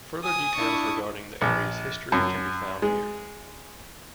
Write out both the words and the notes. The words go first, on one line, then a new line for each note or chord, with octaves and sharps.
Further details regarding the area's history can be found here.
G#5 D#6
D4 E4 C#6
A#1
F#2
G#3